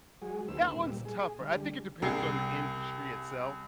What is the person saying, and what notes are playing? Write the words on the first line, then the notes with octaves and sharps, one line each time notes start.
that one's tougher. I think it depends on the industry itself.
F#3 G#3 F#4 G#4
D2 A#3 D#4 B4 C5 E6
A#2 G3
G#4
D3 G3
C2 G#4 G5 E6 C7